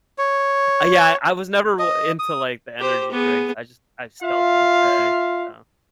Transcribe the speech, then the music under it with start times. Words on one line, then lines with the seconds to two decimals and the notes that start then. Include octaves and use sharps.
Ah, yeah. I was never r into like the energy drinks. I just I still to this day, so
0.18 C#5
1.79 D#5
2.19 D#6
2.79 G4 C5
3.12 B3 G#4
4.23 F4 E5 F5